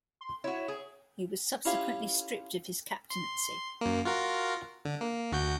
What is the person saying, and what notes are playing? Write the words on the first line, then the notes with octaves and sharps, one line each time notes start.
He was subsequently stripped of his captaincy.
C6
E4 F#4 C#5
G#4
C#4 E4 F4 G4 G#5 C6
C6
F#2 A#3
F4 F#4 A#4
D3
A#3
D2 F#4 G6